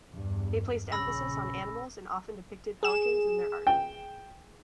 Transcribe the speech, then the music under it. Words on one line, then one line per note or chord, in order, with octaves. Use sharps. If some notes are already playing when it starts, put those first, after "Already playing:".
They placed emphasis on animals and often depicted pelicans in their art.
E2 G2
A#1 C#3 C#4 B5 E6 A#6
G#4 E7
G5